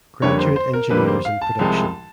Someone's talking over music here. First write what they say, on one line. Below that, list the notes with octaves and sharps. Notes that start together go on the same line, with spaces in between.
Graduate Engineers in Production.
F2 D3 G3 A#3 C#5
C5
C5
A#4
F2 D3 G3 A#3 B4
C5
F5
A5
C2 C3 F3 G#3